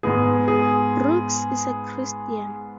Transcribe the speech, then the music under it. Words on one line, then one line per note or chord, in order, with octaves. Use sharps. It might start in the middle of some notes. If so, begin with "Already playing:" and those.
Brooks is a Christian.
G#2 G#3 B3 G#4
G#4